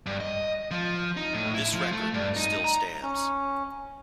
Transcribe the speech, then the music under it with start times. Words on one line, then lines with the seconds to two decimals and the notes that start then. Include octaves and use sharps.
This record still stands.
0.06 G2
0.20 D#5
0.71 F3
1.17 D#4
1.34 A2
1.54 E4
1.74 F3
1.92 A3
2.14 G2
2.36 D#4
2.64 A#5
3.03 C#4